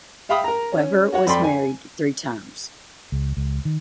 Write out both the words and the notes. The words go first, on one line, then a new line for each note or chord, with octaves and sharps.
Weber was married three times.
E5 F5 G5 B5 D#6
A#4 A#5
C#4
F#4 C#5 F#5
F2 A4 D5 G5 B5 C6
G#5
C#2
C#2
D#3